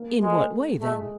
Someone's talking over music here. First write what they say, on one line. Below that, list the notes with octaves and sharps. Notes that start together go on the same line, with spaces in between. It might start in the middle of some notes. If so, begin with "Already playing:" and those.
"In what way then?"
Already playing: A#3
G#3 A3
G#3 A3
G#3